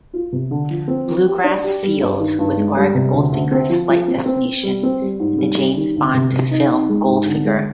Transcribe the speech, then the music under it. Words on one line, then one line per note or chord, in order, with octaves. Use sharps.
Blue Grass Field was Auric Goldfinger's flight destination in the James Bond film "Goldfinger".
F4
C3
D3
F3
C4
F3
G4
D4
G4
G3
G2
D#3
G2
G#3
G3
C3
D2
D2
C4
F3
F3
C4
C4
C4
G3
C4
G3
G#2
G3
G3
D#3
D2
C3
C3
D#4
D#4
G#3
G#2
D3
G#3